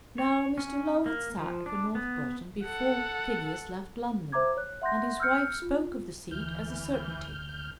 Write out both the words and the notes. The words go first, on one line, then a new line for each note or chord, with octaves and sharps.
Now Mr. Low had sat for North Broughton before Phineas left London, and his wife spoke of the seat as a certainty.
C#5
C#4
A#3
F3
D4
B3
A4 F#5
C5 E5 A#5 D6 G#6
C#5 F#6
E5 F#5 C6 F#6 G6 A#6
E6 F6 G6 C#7
F4
D2 E3 F6 G6